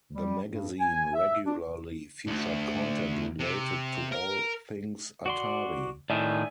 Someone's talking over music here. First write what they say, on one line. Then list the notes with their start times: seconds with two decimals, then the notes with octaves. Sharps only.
The magazine regularly featured content related to all things Atari.
0.14 G3
0.49 G2
0.80 G#5
1.14 E5
1.45 D4
2.27 D2
3.39 C3
4.12 A#4
5.26 F#4 D5 C6
6.10 A2 D#3 D5 E5 G#5